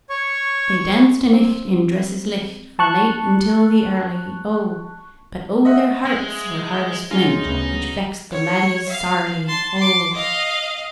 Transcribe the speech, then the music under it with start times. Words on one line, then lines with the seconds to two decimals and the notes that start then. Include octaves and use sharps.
They danced a' nicht in dresses licht Fra' late until the early, O! But O, their hearts were hard as flint, Which vexed the laddies sairly, O!
0.10 C#5 C#6
1.33 C4
2.79 A5 C#6 F#6
5.65 D#5 E5 F#5
6.05 G#3
7.11 G#3 C#4 D#4 F4
7.45 D2 C#3 B3
8.32 C#5
8.89 F5
9.47 A5 C6
9.77 C6 D6
10.14 D#5 F5